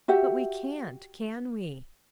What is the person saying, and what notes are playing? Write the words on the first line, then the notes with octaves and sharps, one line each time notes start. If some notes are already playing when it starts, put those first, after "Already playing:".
"But we can't,--can we?"
F#4 G4 E5 F#5